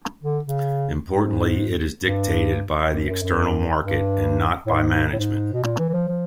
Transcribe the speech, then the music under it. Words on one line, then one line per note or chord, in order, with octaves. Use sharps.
Importantly, it is dictated by the external market and not by management.
D3
C#3
G#2
G2
F#2
F#2
F#2
G2
A2
G#2
A2
G#2
B2
A#2
E3
E3
F3
F3